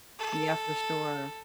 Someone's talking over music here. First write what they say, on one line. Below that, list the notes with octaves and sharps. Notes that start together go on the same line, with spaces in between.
Yeah, for sure.
A4